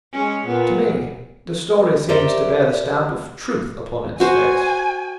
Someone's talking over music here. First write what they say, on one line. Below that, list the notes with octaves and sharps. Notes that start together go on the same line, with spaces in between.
To me the story seems to bear the stamp of truth upon its face.
G#3 C#4
A#2 B3
G4 A#4 C5 D5 E5
F#4 C5 G#5